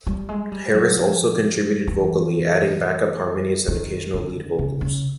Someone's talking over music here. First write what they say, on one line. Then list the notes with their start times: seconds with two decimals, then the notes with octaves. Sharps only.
Harris also contributed vocally, adding backup harmonies and occasional lead vocals.
0.07 G3
0.29 G#3
0.52 G3
0.74 F#3
0.97 F3
1.87 E3
3.68 D#3
4.14 D3
4.59 C#3
4.81 C#3